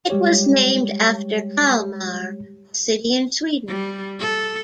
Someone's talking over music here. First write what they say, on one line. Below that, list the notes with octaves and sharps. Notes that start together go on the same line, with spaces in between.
It was named after Kalmar, a city in Sweden.
G3 G#3 G4 C#5
G3
A4